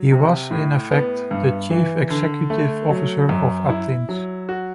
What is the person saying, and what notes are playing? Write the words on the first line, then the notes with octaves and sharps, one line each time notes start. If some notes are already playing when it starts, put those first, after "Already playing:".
He was, in effect, the chief executive officer of Athens.
Already playing: F#3
C3
A2
B3
G2
E3
D3
A3
F#3
F#2
E4
F#3
F#4